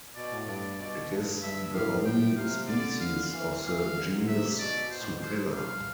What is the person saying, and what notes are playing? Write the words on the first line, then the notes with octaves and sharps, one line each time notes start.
It is the only species of the genus Supella.
B2 D5
A2
G2 D5
B2 D5
G2
G2 E5
A2 F5
A2 G5
C3 F5
D3 D5
F5
E3 F5
E3 F5
D3
C3
D3
C3 E5
B2 D5
B2 C5
A2
B2
C5
F5